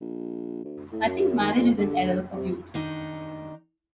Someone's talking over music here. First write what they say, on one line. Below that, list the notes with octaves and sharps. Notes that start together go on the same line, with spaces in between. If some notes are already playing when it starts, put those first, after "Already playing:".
I think marriage is an error of youth.
A#1
D2
A2
F#2
D#3
F2
D3
C3
D#3 D4 D#4